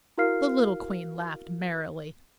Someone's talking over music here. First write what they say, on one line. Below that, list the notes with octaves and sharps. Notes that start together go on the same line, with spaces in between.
The little Queen laughed merrily.
E4 F#4 A#4 F5 F6 C7